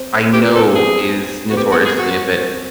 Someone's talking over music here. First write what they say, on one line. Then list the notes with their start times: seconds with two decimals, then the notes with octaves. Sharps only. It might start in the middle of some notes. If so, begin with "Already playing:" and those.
I know is notoriously a bit
Already playing: C4
0.13 C4
0.33 B3 G4
0.55 C4 A4
0.75 C4 G#4
1.50 B3 F#4
1.57 C4 G4
1.72 F#4
1.85 G#4
1.99 F#4
2.40 C4